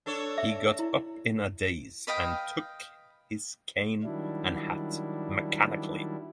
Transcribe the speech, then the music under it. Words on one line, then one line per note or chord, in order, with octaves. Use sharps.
He got up in a daze and took his cane and hat mechanically.
D4 A4 C#5
E5
E4
B4 D#5 F5 G5
D#3 F#3 G3 D4 E4